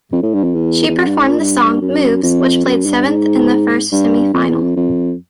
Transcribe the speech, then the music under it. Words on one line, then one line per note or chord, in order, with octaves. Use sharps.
She performed the song "Moves" which placed seventh in the first semi final.
F2
A2
G2
F2
E2
E2
F2
G2
G#2
A#2
G2
F#2
F2
F#2
G2
G#2
G2
F2
E2
F2
F2